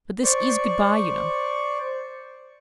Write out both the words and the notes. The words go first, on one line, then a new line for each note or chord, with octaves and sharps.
But this IS good-bye, you know.
C5 D5 C#6